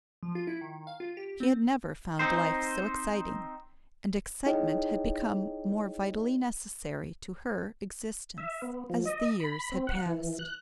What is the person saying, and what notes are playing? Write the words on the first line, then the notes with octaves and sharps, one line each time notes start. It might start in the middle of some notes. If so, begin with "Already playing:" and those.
She had never found life so exciting and excitement had become more vitally necessary to her existence as the years had passed.
F3
F4
E4
D#3
F5
F4
G4
C4
C4 D#4 C5
D#4 E4 G#4 C#5 D#5 G5
E5
B3
F3
D#5
B5
C4
F#5
E3
F#6